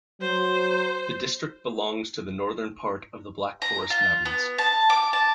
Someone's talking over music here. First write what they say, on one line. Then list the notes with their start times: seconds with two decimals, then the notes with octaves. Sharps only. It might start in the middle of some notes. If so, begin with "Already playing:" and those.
The district belongs to the northern part of the Black Forest mountains.
0.21 F#3 C5
3.62 A#5
3.90 F4
4.25 B3
4.58 A5
4.90 D6
5.13 A5